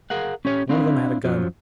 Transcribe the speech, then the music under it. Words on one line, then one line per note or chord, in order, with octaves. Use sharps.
One of them had a gun.
G#4 A#4 F5 F#5
C#4 G4 C#5
C4 D4 E4 F5
F#2 F3 F#3